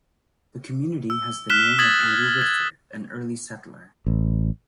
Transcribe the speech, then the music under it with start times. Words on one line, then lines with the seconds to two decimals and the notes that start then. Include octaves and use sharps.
The community has the name of Andrew Whitford, an early settler.
1.10 E6
1.50 F6 F#6 B6 E7 G7
1.79 D#6 G#6 A6 B6 F#7
2.42 G#6
4.06 A1